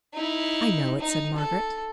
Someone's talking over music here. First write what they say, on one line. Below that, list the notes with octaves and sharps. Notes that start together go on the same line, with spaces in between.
'I know it,' said Margaret.
D#4 E4
D#4
A4